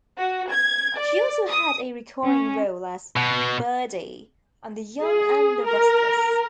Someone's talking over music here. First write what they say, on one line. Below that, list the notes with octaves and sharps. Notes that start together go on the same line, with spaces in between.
She also had a recurring role as "Birdie" on "The Young and the Restless".
F#4
G#6
D5
D#6
C#4
B2
G#4
A#4